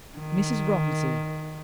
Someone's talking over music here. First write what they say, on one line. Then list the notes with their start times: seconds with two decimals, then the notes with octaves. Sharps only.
Mrs. Romsey.
0.18 D#3